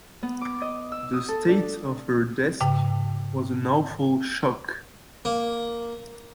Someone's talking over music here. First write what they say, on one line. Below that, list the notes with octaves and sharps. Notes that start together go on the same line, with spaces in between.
The state of her desk was an awful shock.
B3
D6
D#5
E6
D#6
A4
D4
G#2 C#3 G5
A#3